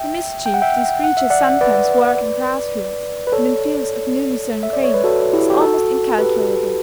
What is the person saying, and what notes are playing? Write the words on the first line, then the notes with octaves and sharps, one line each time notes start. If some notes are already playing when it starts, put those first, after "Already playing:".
The mischief these creatures sometimes work in grass fields, and in fields of newly-sown grain, is almost incalculable.
Already playing: E5 G5
G5
F#5
E5 G5
F#5
E5
D5 F#5
B4 D5
B4
A4 C#5
E5
D5
C#5
B4
F#4 A4
E4 G4
G4
F#4 A4
G4 B4